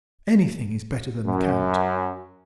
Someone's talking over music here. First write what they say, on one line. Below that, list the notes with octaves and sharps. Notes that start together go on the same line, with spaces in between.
Anything is better than the count.
F#2